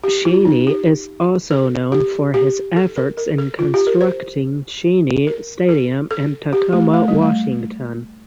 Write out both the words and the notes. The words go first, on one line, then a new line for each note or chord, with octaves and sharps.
Cheney is also known for his efforts in constructing Cheney Stadium in Tacoma, Washington.
G4
F4
D#4
G4
A4
G4
G4
A4
A#4
A#4
A4
F4
G4
A#4
C5
A#4
A4
A4
G4
A3
A3
G3
A3